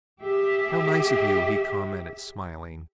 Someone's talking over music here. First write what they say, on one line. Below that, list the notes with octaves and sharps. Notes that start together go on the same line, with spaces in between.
"How nice of you!" he commented, smiling.
G4 G#4 E5